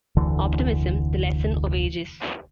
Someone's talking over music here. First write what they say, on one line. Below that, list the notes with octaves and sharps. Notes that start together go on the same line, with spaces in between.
Optimism: The Lesson of Ages.
F1 D2 D3 E3